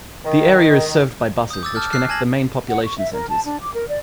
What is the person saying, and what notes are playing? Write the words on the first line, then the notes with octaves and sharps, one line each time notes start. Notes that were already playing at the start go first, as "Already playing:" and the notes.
The area is served by buses which connect the main population centres.
D#3
D#6 G6
D6 E6 A6
A5 F6 G6
F6 F#6 C7
G#5 A5 G#6 A#6 F#7
F#5
C#6
E5
A#4
A5
D4
D6
A#4
D5